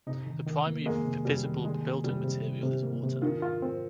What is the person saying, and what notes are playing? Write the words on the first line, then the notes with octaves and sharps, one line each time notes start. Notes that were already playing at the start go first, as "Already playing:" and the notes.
The primary visible building material is water.
C3 D#4
D#3
D#3
A#3
G#3 A#3
C3
C3 G3
D#3
D#3 G#3
A#3
C3 G3
C3
C3
C3
A#3
C3
D#3 F4
F4
C4